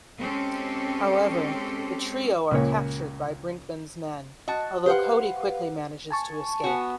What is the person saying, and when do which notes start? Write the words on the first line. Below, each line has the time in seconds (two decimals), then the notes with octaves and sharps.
However, the trio are captured by Brinkman's men, although Cody quickly manages to escape.
0.19 G#3 C4 C#4 G4 A4
2.51 C#2 A#2 C#5
4.48 F#4 D#5 A5
4.86 G4 B4 C5 F5 F#5
6.10 G#5 A5 C#6
6.64 B3 F#4